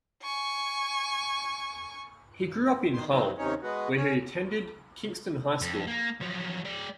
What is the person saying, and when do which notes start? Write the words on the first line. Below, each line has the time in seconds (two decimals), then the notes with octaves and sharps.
He grew up in Hull where he attended Kingston High School.
0.24 G#5 C#6
2.94 D#3 C6
3.10 D#3 F#3 C4
3.38 D#2 C3 C#4 D#4 C#5
3.62 G#3 B3 F#4
3.97 C#4 C#5
5.62 F2
5.87 A#3
6.21 F3 F#3
6.64 G#3 D5